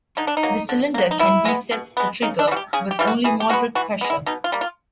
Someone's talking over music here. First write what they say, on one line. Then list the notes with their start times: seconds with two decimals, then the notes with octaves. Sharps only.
The cylinder can reset the trigger with only moderate pressure.
0.17 D3 D#4
0.27 D4
0.37 D#4
0.43 F#3 A#3
0.69 D3
0.94 F#3 A#3
1.11 D#4
1.19 B2 E4
1.45 G#3 B3
1.71 B2
1.97 G#3 B3
2.22 C#3 D#4
2.39 D4
2.47 E3 G3 F#4
2.56 G4
2.73 C#3 G#4
2.91 G4
2.99 E3 G3 F4
3.07 F#4
3.24 E3 G#4
3.40 G4
3.50 G#3 F#4
3.53 B3
3.75 E3 F#4
4.01 G#3 B3
4.10 E4
4.26 B2 D#4
4.44 F4
4.52 G3 A#3
4.61 F4